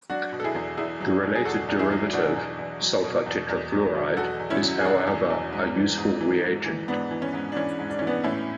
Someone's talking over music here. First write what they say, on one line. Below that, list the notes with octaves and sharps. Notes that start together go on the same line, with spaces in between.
The related derivative, sulfur tetrafluoride is however a useful reagent.
F#3 D4 F#4
B2
A4
E4 G#4
E2
E2 E4 G#4
F#3
B2
G#4
E2 F#4 A4
E2
E4 G#4
F#3
B2 D4 F#4
E2
E2
F#3
B2
E2
E2
F#3
B2
E2 F#4 A4
E2
C#4 E4
F#3
G#4
B2 D4 F#4
E2
E2
G#2
E3
G#2
E3
G#2
E3
G#2 B3 D4
E3
C#4
G#2
D4
E3 C#4
G#2
D4
E3 C#4
B3 D4
A2 C#4 E4